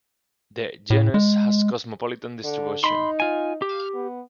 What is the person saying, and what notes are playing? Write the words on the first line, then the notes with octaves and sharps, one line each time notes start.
The genus has cosmopolitan distribution.
A2
G#3
D3
D#4 B5 C6
F4 G#5
G4
B3